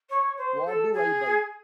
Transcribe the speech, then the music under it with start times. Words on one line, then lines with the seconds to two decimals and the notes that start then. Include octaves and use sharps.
What do I buy?
0.09 C#5
0.37 C5
0.65 A4
0.93 G#4